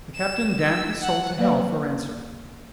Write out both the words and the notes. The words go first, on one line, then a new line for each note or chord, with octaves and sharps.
The Captain damned his soul to hell for answer.
E7
E6
F#5
F#3 A#3 B4 D5 F5